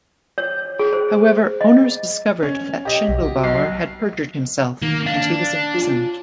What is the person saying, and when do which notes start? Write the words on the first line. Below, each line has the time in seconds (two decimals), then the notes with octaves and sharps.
However owners discovered that Shindelbower had perjured himself, and he was imprisoned.
0.38 C#5
0.79 G#4
0.93 C5
1.61 D#5
2.43 C#4
2.85 G4 D#5
3.08 B1
3.22 F#4
3.44 B1 C7
4.82 D#3 A#3
5.06 D4 F5
5.74 F4